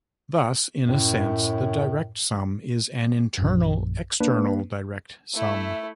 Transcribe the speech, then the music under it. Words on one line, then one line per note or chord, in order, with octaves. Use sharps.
Thus, in a sense, the direct sum is an "internal" external direct sum.
F#2 A2
A#1 F#2
A#3 D4 B4
A3 E4